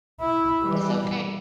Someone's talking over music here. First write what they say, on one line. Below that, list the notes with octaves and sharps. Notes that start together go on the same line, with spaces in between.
It's okay.
E4
E3 G3